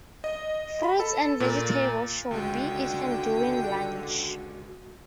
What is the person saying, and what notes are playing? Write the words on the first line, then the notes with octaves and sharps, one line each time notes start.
Fruits and vegetables should be eaten during lunch.
D#5
B5
A4
A#2
C#2 D3 G#3 F#4 G5